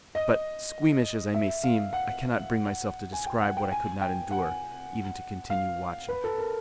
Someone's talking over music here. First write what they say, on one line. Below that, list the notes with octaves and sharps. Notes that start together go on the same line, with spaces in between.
But, squeamish as I may seem, I cannot bring myself to describe what I could not endure even to continue watching.
D#5
E5
F5
F#5
G#5
G5
F#5
G5
G#5
G5
F#5
F5
B4
A4
A#4